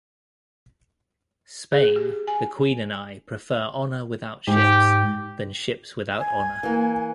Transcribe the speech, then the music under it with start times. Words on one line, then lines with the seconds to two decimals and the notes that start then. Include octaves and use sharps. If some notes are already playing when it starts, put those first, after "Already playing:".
Spain, the Queen and I prefer honor without ships than ships without honor.
1.72 G#4
1.96 G4
2.27 G#5
4.48 G#2 G4
6.20 G#5
6.63 E3 A#3